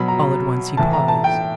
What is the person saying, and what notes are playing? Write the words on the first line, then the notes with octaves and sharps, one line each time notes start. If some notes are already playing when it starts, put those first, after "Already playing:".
All at once he paused.
Already playing: B2 F#3 B5
A#5
A2 E3 A5
A#5
A5
G5